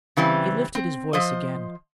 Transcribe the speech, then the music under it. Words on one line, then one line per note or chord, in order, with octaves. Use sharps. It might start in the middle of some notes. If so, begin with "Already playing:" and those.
He lifted his voice again.
C#3 E3 G3 C4
C4
F3 C5 D#5